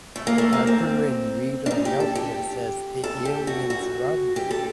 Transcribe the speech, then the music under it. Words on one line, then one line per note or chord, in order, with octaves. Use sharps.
Tucker and Reed are helpless as the aliens rob them.
A3
A#3
A3
A#3
C4
D4
D#4
G4
A4
G4
A4
G4
F#4
F#4
G4
A4